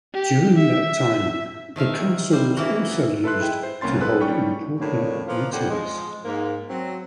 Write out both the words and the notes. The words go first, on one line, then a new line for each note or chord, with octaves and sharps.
During that time the castle was also used to hold important meetings.
G4
E5
D#3 F3 E5 F5
G3 C5
E3 A#3 E4 F#4
B3
A4 B4 E5 C6 F#6
G#3 E4 E5 G5
C5
C2 A#3 C#4 C6 A6
G#4 A4 B4 F#6
G3 C#4 G5 C#6
F2 A2 C#3 F#3 A#3 D4
E3 F3 A#3 F4
F2 A2 G4 C5 D5 F#5
F3 G#3
G#2 A#3
F#3 C4